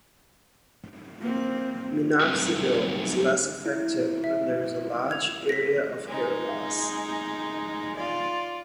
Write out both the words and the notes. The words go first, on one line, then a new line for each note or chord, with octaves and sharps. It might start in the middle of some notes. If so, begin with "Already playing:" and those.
Minoxidil is less effective when there is a large area of hair loss.
A#3 C4
F#3 G3 A3 C4 D#4 F#4
E4
E5
E6 G#6 F7
A#6 B6
G#3 D#4
F4 D5